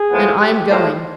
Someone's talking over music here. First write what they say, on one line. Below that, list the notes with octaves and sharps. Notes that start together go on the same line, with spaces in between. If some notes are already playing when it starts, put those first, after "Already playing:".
And I am going.
Already playing: G#4
A2 F3 G#3 B3
G4
A2 F3 G#3